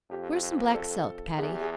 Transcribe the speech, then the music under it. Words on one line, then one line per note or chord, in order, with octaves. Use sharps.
"Where's some black silk, Patty?"
F2 G4
A4
E2 G#4
G4
G#4